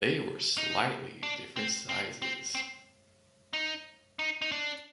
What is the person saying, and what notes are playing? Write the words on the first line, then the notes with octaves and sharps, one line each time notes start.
They were slightly different sizes.
D#4
D4
C4
C4
C4
C4
D#4
D#4
D#4
D4